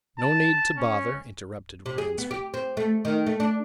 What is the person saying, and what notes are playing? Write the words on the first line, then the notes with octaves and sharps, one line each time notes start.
"No need to bother," interrupted Ransford.
A5
C#4
C3
G#4
B3
G4
C4
A3
D#3
A3
D4